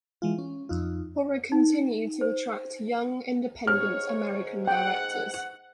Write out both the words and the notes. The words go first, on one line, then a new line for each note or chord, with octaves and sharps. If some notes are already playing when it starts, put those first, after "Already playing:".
Horror continued to attract young, independent American directors.
E3 G#3 F4
C#4
F2 D#4 F4
D#4
C5
G#2 C#5 F6
F#5 G5